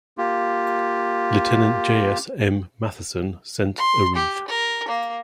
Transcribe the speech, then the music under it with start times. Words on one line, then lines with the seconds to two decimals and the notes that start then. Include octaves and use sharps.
Lieutenant J. S. M. Matheson sent a wreath.
0.18 A#3 F4 G4
3.78 C6
4.16 G4
4.48 A#4
4.88 A#3